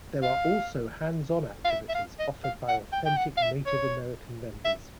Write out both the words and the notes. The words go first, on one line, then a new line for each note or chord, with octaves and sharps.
There are also hands-on activities offered by authentic Native American vendors.
F5
F5
E5
E5
F5
D#5
F5
F#5
G5
G5
F#5
F5
E5
C#5
E5